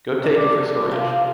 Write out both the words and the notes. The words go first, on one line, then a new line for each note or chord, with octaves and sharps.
Go take it for storage.
C3 D4 D5
G3
C3 F3 F4